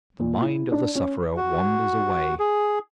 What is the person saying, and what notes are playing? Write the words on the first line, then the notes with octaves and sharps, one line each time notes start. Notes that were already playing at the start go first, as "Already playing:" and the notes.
The mind of the sufferer wanders away.
A#2
E4
D4
C#4
F#4
G#4